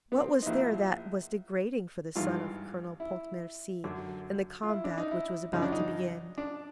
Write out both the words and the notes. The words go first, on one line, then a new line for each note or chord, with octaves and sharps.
What was there that was degrading for the son of Colonel Pontmercy in the combat which was about to begin?
B3
C4
D#4
A#1 A#2 F3 E4
G#1 G2 E3 F4
E4
F#2 D3 F#3
F4
E4
D4
D#4
E4
F#2 C#3 F3 D#4
D4
D#4
D4